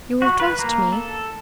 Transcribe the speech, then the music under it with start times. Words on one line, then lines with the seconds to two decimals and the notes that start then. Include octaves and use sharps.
You'll trust me?
0.22 F#4
0.40 B4
0.59 A#3
0.92 A4